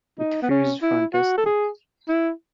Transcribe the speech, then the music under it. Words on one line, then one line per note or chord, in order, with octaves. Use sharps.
It feels fantastic.
D#4
B3
C#4
E4
F#4
A4
G#4
E4